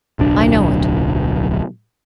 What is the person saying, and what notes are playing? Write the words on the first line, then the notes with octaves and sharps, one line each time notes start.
I know it.
D1 B1 D4